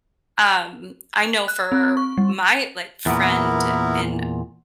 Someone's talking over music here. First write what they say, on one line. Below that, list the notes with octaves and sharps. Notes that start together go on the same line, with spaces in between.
Um, I know for my, like, friend in
F#6
C4
C#6
G3
E2 A#2 B3 E4 A#4